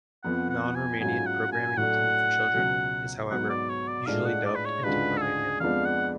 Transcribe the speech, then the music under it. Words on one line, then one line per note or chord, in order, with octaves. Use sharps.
Non-Romanian programming intended for children, is however, usually dubbed into Romanian.
F2 F3 B3 F#5
F#5
G#5
G#2 F#3 C#4 F4 G#5
F#5
G#5
A2 F#3 A3 D4 F#5
C#2 B2 F#3
G#2 F#3 B3 F#5
D5
C#5
D5
A2 G#3 D4 F4 F5
F#5
D5
B4
C#5
D2 C#3 G#3 D4 F4 B4
A4
G#4
F2 F3 G#3 B3 D4 F5
F#5